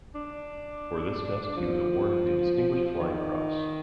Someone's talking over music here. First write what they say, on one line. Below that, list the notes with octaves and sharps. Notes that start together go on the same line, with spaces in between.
For this test he was awarded the Distinguished Flying Cross.
D4
F3
D#3